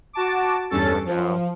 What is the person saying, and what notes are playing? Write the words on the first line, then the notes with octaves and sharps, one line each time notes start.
Oh, no.
F#4 A5 D6
E2 G2 C#4 A4 A6
F3